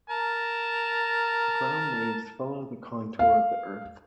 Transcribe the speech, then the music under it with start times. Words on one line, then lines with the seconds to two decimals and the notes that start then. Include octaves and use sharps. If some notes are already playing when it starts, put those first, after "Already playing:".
Ground waves follow the contour of the Earth.
0.10 A#4 A5
3.19 F5